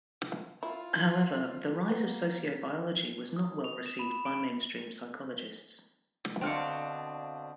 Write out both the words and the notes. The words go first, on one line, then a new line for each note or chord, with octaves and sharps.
However, the rise of sociobiology was not well received by mainstream psychologists.
E4 F4
A#3 B3
D#6
F7
E7
B5
D7
B2 D3 C4 D4 F5 C#6